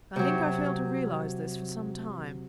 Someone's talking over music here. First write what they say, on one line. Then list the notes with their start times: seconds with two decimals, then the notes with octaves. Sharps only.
I think I failed to realize this for some time.
0.16 C3 F#3